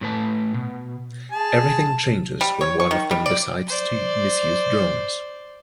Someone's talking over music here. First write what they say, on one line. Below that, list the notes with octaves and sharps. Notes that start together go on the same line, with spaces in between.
Everything changes when one of them decides to misuse drones.
A2 A3 B4 A5
B2
G#4 A5
G3
C#5
C#6
D#3
G3
D5
C5 D5